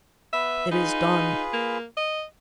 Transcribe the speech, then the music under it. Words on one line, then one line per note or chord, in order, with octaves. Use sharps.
It is done.
B3 B4 E5
D#4 F4 G#4 B4
A#3
D#5